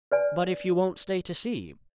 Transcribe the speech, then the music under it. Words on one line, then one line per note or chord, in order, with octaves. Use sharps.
"But if you won't stay to see!"
B4 D5 G#5